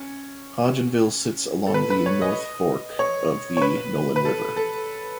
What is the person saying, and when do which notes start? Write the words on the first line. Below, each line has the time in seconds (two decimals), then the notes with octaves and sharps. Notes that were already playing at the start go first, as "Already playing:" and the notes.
Hodgenville sits along the North Fork of the Nolin River.
Already playing: C#4
1.67 A4
1.74 B4
1.90 B4
2.06 C#5
2.22 D#5
2.99 C#5
3.57 C#5
3.62 B4
4.16 B4
4.25 A4
4.56 A4